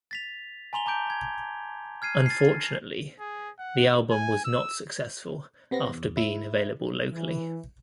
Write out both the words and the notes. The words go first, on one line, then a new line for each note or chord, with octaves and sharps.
Unfortunately, the album was not successful after being available locally.
A6 B6 F7
G#5 A#5 C6 F7 G7
A5 A#5 D6 G6 D7
A#5 G#6
F6 G#6 C7 D#7
A6 C7
G#4
F#5
G#5
E6
C3 B3 C4 A#6
E2
E4
E3